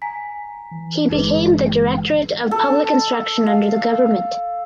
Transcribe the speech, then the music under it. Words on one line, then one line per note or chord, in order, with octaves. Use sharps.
He became the Directorate of Public Instruction under the Govt.
G#5 A#5 B6
E3
G1 G#3 D#4 G#4 B4
A4
F5